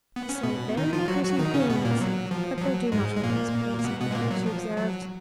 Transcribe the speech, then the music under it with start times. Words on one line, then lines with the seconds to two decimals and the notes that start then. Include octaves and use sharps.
"You say very pretty things; but they do not always please me," she observed.
0.16 B3
0.29 C#4
0.43 B2 B3
0.77 D#3 D#4
0.93 F3 F4
1.08 F#3 F#4
1.24 F#3 F#4
1.38 D#3 D#4
1.54 C#3 C#4
1.69 B2 B3
1.85 A#2 A#3
2.01 F#3
2.31 F3
2.57 F3
2.61 F#3
2.92 G#2 G#3
3.16 G#3
3.23 A#2 A#3
3.78 A#3
3.84 B2 B3
4.00 B2 B3
4.11 G#3
4.15 A#2 A#3
4.31 F#3
4.46 F3
4.77 F#3